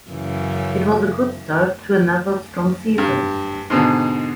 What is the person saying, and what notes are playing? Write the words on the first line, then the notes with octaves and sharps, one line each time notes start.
It was a good start to another strong season.
F#2 C#3 E3
G2
G#2 B2 D3